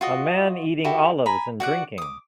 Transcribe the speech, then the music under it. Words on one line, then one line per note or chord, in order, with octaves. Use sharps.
A man eating olives and drinking.
F4 F#4 D#5
E4 F#4 G4 A4
G#5 A#5 B5
F#4 D5 F#5
D6 D#6